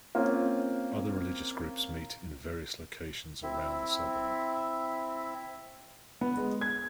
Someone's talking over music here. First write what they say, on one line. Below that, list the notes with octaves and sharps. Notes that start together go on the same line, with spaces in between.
Other religious groups meet in various locations around the suburb.
A#3 C4 C#4 F4
C4 E4 E5
B3
G#3
G#6